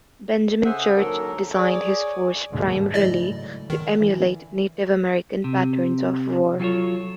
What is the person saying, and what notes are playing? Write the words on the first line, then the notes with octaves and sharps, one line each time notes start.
Benjamin Church designed his force primarily to emulate Native American patterns of war.
C#3 G#4 A4 C5 E5 F#5
D#2 D3 F#3 A4 A#4
G#4 C#5 D5
G#1 D#2 G#2 D3
C#3 E3 F#3 A3 E4 D5 D#5
G#2
D3 D#3
E3
C3
F#3 F4 F#4 A4 C#5